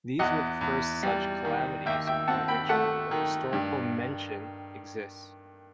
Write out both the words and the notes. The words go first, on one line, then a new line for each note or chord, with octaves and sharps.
These were the first such calamities for which the historical mention exists.
E2 D#5 F#5
E2
G3
D#3
D#2 E5 G5
E5 G5
C4 F#5 A5
G5 B5
A3 F#5 A5
D#3
G2